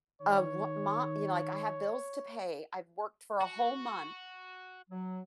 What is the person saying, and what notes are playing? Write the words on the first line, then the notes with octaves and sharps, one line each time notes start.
Of wha mo you know, like, I have bills to pay. I've worked for a whole month
D#3 C#5
F#4
F#3